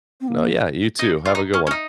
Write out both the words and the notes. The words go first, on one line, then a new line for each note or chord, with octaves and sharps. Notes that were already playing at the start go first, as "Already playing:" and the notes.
No. Yeah. You too. Have a good one.
C4
A#3
D#4
F4
D#4
C#4
C#4
D#4